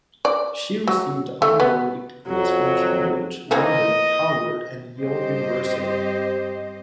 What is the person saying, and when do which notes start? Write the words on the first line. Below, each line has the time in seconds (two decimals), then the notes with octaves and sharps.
She received honorary degrees from Cambridge, London, Harvard, and Yale universities.
0.25 D5
0.87 F#3
1.42 A3
1.60 B3
2.28 F2 F#3
3.51 E3 A#3 C4 D#5
4.98 G2 C4 G4 C5 D#5